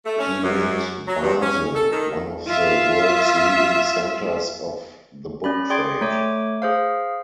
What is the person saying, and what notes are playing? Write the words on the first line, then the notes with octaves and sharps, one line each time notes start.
He made Basel one of the world's leading centres of the book trade.
A3
C#4
F#2
F#3
G2
C#4
A4
D#3
F4 E5
C#4 D5 B5
G#4 D5 G5 C6 G#6 D7
A3 C#5 D6
G#4 C5 F5